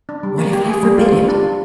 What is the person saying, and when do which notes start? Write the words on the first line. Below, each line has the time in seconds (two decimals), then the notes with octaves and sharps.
"What if I forbid it?"
0.09 D4
0.23 G3
0.38 A#3
0.53 G4
0.68 G#4
0.83 G3
0.98 F4
1.12 G3
1.28 D4
1.43 F4